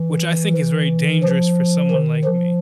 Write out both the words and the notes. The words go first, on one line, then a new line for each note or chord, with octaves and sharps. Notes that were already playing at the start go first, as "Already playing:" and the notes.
which I think is very dangerous for someone like me
Already playing: E3
E3
F3
D#3
F3